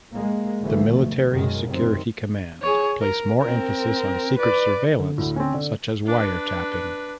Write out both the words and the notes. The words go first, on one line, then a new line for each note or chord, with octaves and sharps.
The Military Security Command place more emphasis on secret surveillance such as wiretapping.
G#3 A#3
G#1 D2 E3 F3 A3
B2
F#2 B2 D#3 G#3
F#2 C3 D#3 C4
G#4 C#5
A#4
C4 A#4
B4 D5
D3
D2 A2
C4 C#4
D3
D4 B4